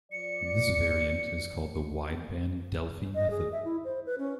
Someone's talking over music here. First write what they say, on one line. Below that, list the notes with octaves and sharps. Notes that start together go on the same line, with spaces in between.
This variant is called the Wideband Delphi method.
F3 D5 C#7
D#5
G#4
E5
E4
C5
B4
C#4